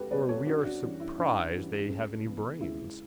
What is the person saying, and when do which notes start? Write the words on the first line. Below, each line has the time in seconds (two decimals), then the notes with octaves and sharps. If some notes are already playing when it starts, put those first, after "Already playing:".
Or we are surprised they have any brains.
Already playing: C#2 F#4 G4 A4 B4
0.11 B2 G3 B4 D5
0.29 A4 C#5
0.46 F#2 D4 F#4
0.64 D4 F#4
0.82 E3 G3 C#4
1.00 E4
1.18 F#2 D4
1.54 E3 G3 C#4
1.89 C#2
2.25 C#3 E3 B3
2.61 C#2 E4